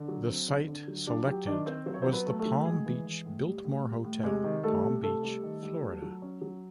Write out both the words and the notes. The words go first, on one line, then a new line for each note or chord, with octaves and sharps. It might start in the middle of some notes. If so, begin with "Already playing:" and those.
The site selected was the Palm Beach Biltmore Hotel, Palm Beach, Florida.
Already playing: D3
F#3
C4
D3
D3
F#3
F#3 D4 D5
F#3 G4 G5
D#3 D4 D5
C4 C5
F#3 C5
C#5
C4 C5
F#3
B3 B4
A3
A3 A4
F#3
A2 G#3 G#4
E3
E3
A2
G3
A2
G3
A2
C3 G#3 G#4
D#3
G3 A3 A4
C3
C3 A3 A4
G3
D#3
G3
F#3
F#3
C#4
F#3